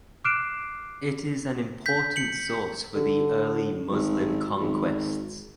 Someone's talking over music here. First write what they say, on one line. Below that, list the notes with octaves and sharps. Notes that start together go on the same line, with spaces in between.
It is an important source for the early Muslim conquests.
D6 F6 F#6 C7 D7 E7
G6 B6
C#7 F#7
D3
G#1
G#1